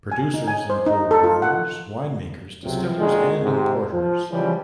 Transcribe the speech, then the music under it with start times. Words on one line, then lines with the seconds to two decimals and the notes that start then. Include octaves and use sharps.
Producers include brewers, wine makers, distillers and importers.
0.12 G#5
0.34 D#4
0.48 G#5
0.70 C5
0.86 D#4
1.11 A4
1.24 F4
1.42 F#5
2.64 C#2 C3 F#3
2.98 G#1 A#2 D3 D#3 G#3
3.41 G#2 C3 C4
3.93 F3
4.30 C#3 E3 F3 G3 G#3 C#4